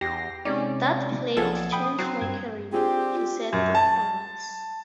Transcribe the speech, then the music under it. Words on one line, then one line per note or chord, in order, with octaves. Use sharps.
"That play changed my career", he said afterwards.
E2 G4 A#6 C7
C3 G#3 C#4 D#4 D5
B1 F3 A#3 F4 G#4 A4 F#5
G5 B5 D#6
F#3 C4 C7
G2 G#6
C4 D4 D#4 F4 G4 G#4
F#2
A5